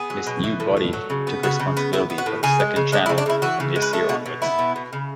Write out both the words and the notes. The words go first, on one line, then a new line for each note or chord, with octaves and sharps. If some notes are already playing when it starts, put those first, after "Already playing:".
This new body took responsibility for the second channel from this year onwards.
Already playing: B3 G#4
F#3
B2
E3
A2
A3
F#3
C#3
B3
C#3 F#4
C#3
B3
B3 E4
B3
F#4
A2
C#3 G#4
G#3
C#3
G#3 D4
E4
C#3
D4
C#3 E4
E3 F#4
C#3
G#3
B4
A3 A4
B2 F#4
B2
B3 E4
B2
B2
C#3